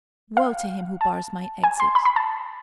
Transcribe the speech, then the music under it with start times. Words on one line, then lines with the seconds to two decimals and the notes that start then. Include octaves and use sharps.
Woe to him who bars my exit!
0.37 F5
1.01 A5
1.64 G#5
1.80 C6
1.95 B5
2.05 B5
2.16 A5